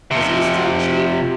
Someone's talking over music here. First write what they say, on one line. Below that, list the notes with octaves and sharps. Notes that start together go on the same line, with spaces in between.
"Is he still chief?"
C3 F3